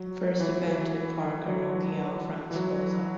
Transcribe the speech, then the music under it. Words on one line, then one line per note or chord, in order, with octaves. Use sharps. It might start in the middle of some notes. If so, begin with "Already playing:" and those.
First event with Parker knocking out Frans Botha.
Already playing: F#3
E3
E3
F#3
E3
E3
F#3